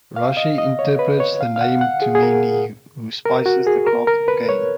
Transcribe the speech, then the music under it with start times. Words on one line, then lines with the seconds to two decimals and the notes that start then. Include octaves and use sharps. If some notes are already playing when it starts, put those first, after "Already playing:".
Rashi interprets the name to mean he who spices the craft of Cain.
0.16 F5
0.37 D#5
0.58 D#5
0.79 C#5
0.99 B4
1.20 C#5
1.41 F5
1.56 F5
1.61 F#5
1.81 F#5
2.02 G#4
2.15 G#4
2.23 A#4
3.26 A#4
3.46 F#4
3.67 G#4
3.87 A#4
4.07 A#4
4.28 B4
4.49 C#5